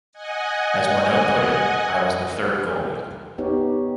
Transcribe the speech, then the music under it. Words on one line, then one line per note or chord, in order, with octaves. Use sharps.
As Morneau put it, I was the third goalie.
D#5 F#5 G#5
B3 D#4 G4 C#5